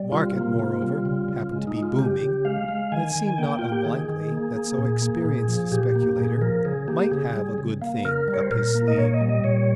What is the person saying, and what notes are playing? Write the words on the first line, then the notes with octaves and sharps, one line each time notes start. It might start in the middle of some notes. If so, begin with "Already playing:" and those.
The market, moreover, happened to be booming, and it seemed not unlikely that so experienced a speculator might have a "good thing" up his sleeve.
Already playing: G3
C3 F4
A#3 F4
C3
G3
C#3
C#3
G#3
D#4
G#3
F4
C#3 G4
C#3
G#3 F5
G#3
D#3 G#5
D#3
A#3 G5
A#3 F4
G4
D#3 G#4
D#3
A#3
A#3
A#2
A#3
A#2
F3
A#2 G4
A#3
A#2 G#4
F3 A#4
C#3 G#4
A#3 G4
C#3 G#4
G3
C#3
A#3
C#3 A#4
G3
C#5
C5
A#2 A#4
A#3
D#5
A#2 C#5
D#5
G3
D#5
A#2 C#5